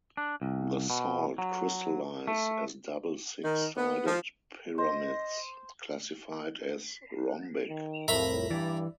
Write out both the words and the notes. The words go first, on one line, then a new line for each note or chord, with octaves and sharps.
The salt crystallize as double six-sided pyramids, classified as rhombic.
D4
C2
B2
F#3
A3
D#3
B3
F3
C5 D#5
D#3
C2 F2 A2 A#4 E5 A#5 B5
G2 E3 D5